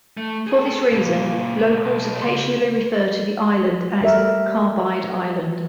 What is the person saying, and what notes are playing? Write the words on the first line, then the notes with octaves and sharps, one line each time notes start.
For this reason, locals occasionally refer to the island as "Carbide Island".
A3
G#4 A4
C#2 A#2
B1
C#3 C6
G3 A3 A#4 E5